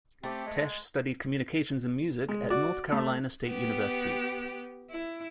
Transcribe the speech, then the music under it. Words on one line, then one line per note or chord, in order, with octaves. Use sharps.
Tesh studied communications and music at North Carolina State University.
A3 C4 G4
G#3
G#3
F#4 D5
A3
B3 G4
E4